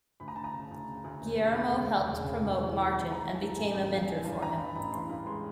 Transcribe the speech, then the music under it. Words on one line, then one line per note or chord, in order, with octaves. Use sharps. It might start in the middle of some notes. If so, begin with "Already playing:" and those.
Guillermo helped promote Martin and became a mentor for him.
D2 B5
A#5
D2 A5
A#5
C#3
D2
C#3
D2
E1
E1
D2 B5
C#3
E1
E1
C#3
C#3
E3
E1
E3 B5
E3
A#5
E3
A5
G2
A1 G#5
A1 G5
G2 F5
E3 G#5
G2 A5
G2 A#5
G2 B5
A1 B5
E3 C6
G2 B5
G#3 C6